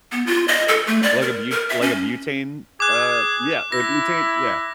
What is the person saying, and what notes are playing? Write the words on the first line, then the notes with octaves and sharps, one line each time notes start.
Like a bute like a butane? Uh, yeah, a butane? Yeah.
B3
F4
D#5
A4
A3
D5
A#4
A#4
E5
C#4
G#4 D6 F#6
E4 A#6